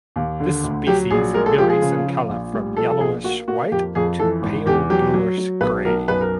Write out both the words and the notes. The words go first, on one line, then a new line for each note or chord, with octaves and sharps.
This species varies in colour from yellowish white to pale bluish gray.
D#2
D3
D2
F#3 G4
A#1 G#4
G#3 A#4
A4
F3 G4
G#4
C#3
F3
A#1
G3
F3 A4
A4
A#1 G#4
A#3 F#4
A#3 F#4
F2 G4
F2 G#4
E3 A4
G#1
E2 G4
F#3 G4
F#3
F#3
B1 B4
B1 A#4
F#2 B4
A#4